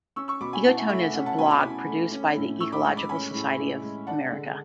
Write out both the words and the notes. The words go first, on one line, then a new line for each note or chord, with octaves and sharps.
EcoTone is a blog produced by the Ecological Society of America.
C#4 C#6 E6
C#6 E6
B2 B5 D6
G#5 B5
E4 F#5 A5
E5 G#5
A3 E5
F#5
C#4 F#5
F#5 A5
B2 G#5 B5
B5 D6
E4
A3
C#4
A2
E4 C#6 E6
B5 D6
G#3 C#6 E6
B5 D6
C#4 G#5 B5
A2
E4
G#3
D4 F#5 A5
D3